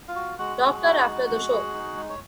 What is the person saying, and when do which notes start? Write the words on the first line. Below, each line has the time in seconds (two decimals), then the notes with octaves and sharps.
Doctor after the show.
0.08 F4 F5
0.16 F#4
0.39 G#3 F#4 F#5
0.61 G#4
0.84 D#4
1.06 G#3
1.28 G#3
1.51 G#4
1.74 D#4
1.97 G#3
2.09 C#5